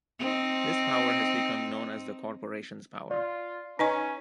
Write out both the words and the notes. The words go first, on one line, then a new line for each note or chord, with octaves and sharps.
This power has become known as "the corporations power".
C4 D#4
F4 D5
C#4 D#4 B4 D#5 G#5 C#6